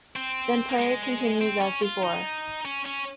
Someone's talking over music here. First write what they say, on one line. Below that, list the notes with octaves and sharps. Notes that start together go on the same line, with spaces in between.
Play then continues as before.
C4
A#3
G#3
C4
C#4
F4
D#4
C#4
C#4